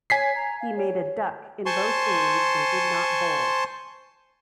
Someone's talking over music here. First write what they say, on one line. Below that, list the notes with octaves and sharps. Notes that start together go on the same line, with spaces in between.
He made a duck in both games and did not bowl.
C#5 G#5 B6 C7
A#5
F5
C#5
C5 G#5 A5 C6 C#6